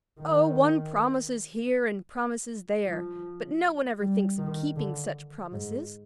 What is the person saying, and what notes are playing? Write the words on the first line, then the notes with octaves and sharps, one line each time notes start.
'Oh, one promises here and promises there, but no one ever thinks of keeping such promises.
D#3
F3
G3
D#3
D3
G#2